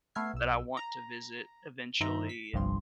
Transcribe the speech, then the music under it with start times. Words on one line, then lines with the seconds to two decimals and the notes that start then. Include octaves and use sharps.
that I want to visit eventually and,
0.15 A3 B3 E5 F6 G#6 C7
0.34 B1 E6
0.77 A#5
2.00 G2 D#3 D#4 C5 E5 A#5
2.29 B6
2.53 G1 C2 G2 F3 C6